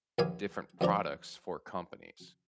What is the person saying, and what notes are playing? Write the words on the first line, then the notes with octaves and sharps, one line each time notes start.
different products for companies,
A#1 D#2 A#3 F5 G#5
D#2 F3 D4 A#5